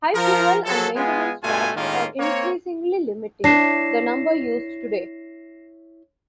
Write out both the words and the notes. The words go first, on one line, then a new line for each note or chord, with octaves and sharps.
High fuel and maintenance costs are increasingly limiting the number used today.
F3 A#4
F3 F#3 G#4 A4
G#3 B3 F4 G#5
G2 B2 A3 F4 G#5
A2 D#3 G#3 A#3 C#4 F4
A#3 C4 A#4 C#5
D4 E4 C#5 A#6 C7 E7